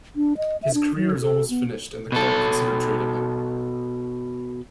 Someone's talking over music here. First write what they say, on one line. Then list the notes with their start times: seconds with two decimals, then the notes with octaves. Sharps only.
His career is almost finished and the club consider trading him.
0.16 D4
0.37 D#5
0.63 E5
0.74 D4
0.96 F#3
1.21 A4
1.50 B3
2.12 B2 A4